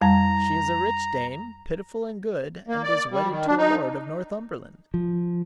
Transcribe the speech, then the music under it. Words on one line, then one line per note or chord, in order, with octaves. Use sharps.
She is a rich dame, pitiful and good, and is wedded to a lord of Northumberland.
F2 G3 A5 A#5
A#3
D5
G3
D#3
D4
D#4
F3